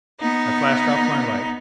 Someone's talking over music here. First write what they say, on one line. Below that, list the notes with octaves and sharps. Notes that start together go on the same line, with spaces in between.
I flashed off my light.
B3 D#4